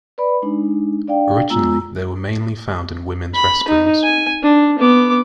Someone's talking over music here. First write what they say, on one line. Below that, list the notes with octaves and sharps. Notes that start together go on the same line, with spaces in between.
Originally they were mainly found in women's restrooms.
B4 D5 B5
G#3 D4 D#4
D4 D5 F5 G5
G#3 B3 F4 A#5 E6
B5
D#4
G#5
D4
B3 D6